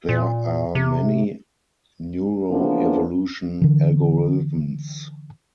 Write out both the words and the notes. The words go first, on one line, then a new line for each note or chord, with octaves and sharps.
There are many neuroevolution algorithms.
A#2
C3
C#3 E3 F3 A#3 B3 D4
D3 E3